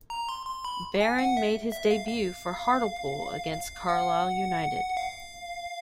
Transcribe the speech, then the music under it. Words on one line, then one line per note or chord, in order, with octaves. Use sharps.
Barron made his debut for Hartlepool against Carlisle United.
A#5
C6
C6
B5
G#5
F#5
E5
E5
F5
F5
F5
F#5
F5